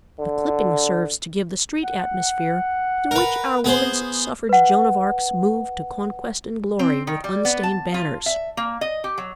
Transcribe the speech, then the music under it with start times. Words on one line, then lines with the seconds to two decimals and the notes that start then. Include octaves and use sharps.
The clipping serves to give the street-atmosphere through which our Woman's Suffrage Joan of Arcs move to conquest and glory with unstained banners.
0.19 D3
1.84 F#5
3.11 A#4 B4
3.64 B3 G#4 C5
4.49 B4 F#5
6.79 C4
7.07 D#3
7.24 G3
7.45 B3
7.63 A5
7.94 F4
8.26 E5
8.57 A#3
8.81 D#5
9.04 G4
9.18 F#3